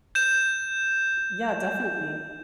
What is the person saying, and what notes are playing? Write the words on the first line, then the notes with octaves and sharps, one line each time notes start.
Yeah, definitely.
G6 E7